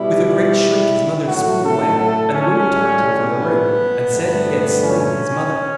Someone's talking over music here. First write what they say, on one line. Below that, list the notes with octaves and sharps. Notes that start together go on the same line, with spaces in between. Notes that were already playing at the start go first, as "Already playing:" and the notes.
With a great shriek his mother swooned away, and the women turned him from the room and said he had slain his mother.
Already playing: B2 G3 E4
A2 F#3 A3 F#4
A4
A4
C#4
A2 G3
B3
G2 D3 A3
C#4